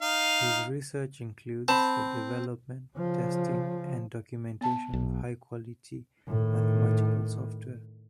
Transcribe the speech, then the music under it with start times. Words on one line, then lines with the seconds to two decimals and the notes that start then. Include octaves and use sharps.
His research includes the development, testing and documentation of high-quality mathematical software.
0.02 D#4 F5
1.68 C4 A5 B5
2.96 C#3 F3
4.61 B3 A5
4.93 B1
6.28 A2 D#3